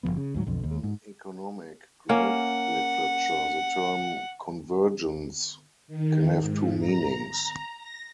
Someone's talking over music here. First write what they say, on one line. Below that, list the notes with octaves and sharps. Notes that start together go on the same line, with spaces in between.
In economic growth literature the term "convergence" can have two meanings.
F#1 F2 F3 B3
C#3
D2 G#2 F#3
B1 F2 D3
D#2
G#2
A#3 C#4 F#5
D#3
G#2
A#5
A#5
A#6